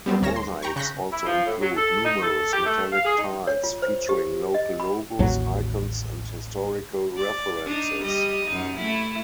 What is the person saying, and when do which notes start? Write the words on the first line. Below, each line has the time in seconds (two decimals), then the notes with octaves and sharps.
The mosaics also include numerous metallic tiles featuring local logos, icons and historical references.
0.06 G3 B3 C4
0.22 D2 A#4 C#5 A#6 E7
0.36 C6
0.62 G5 A#5 B5 C#6
0.76 C#3 C#6 F#6 G6 A#6 B6
1.11 E4
1.26 F3
1.46 A2
1.61 F#3
1.75 A4
2.04 D#4
2.22 A4
2.52 G4
2.65 A3
2.92 F5
3.05 G#4
3.18 D#4
3.47 C#5
3.64 F4
3.82 C5
4.09 G4
4.54 D#5
4.80 B5
5.19 A1 D#2 F#3
7.16 D5
7.65 D4 D#4
8.03 G3 D#5
8.46 F#2 D#4
8.76 A3 E4